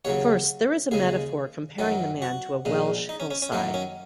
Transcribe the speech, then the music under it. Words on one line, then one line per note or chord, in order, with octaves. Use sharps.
First, there is a metaphor comparing the man to a Welsh hillside.
D#2 C#3 F#3 C#5
D#2 C#3 G#3 G#4
F#2 D#3 F#3
F#4
A#1 A#2 G#3
D#4
C#4
C#4
C#4
F#2 D#3 F#3 A#3
C#4